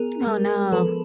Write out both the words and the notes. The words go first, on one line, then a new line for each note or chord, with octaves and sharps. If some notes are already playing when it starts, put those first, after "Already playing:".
Oh no.
Already playing: B3 G#4 A#4
G#3
F3 A4 B4